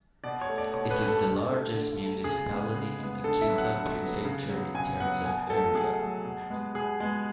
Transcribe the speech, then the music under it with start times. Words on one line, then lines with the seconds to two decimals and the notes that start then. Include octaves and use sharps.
It is the largest municipality in Akita Prefecture in terms of area.
0.24 B2 D5
0.41 C#5
0.49 A3
0.58 D5
0.74 B2 C#5
0.91 B4
0.99 A3
1.08 A4
1.25 D3
1.49 A3
1.74 D3
1.99 A3
2.24 C#3 G#4
2.49 G#3 B3
2.74 C#3
2.99 G#3 B3
3.24 D3 A4
3.41 E5
3.49 F#3 B3
3.58 F#5
3.75 D3
4.00 F#3 B3
4.25 C#3
4.50 F#3 B3
4.74 C#3 G#5
5.00 F#3 B3 F#5
5.25 B2 G#5
5.50 F#3 A3 A4
5.75 B2 G#4
6.00 F#3 A3
6.25 B2
6.50 G#3 B3
6.75 B2 G#4
7.00 G#3 B3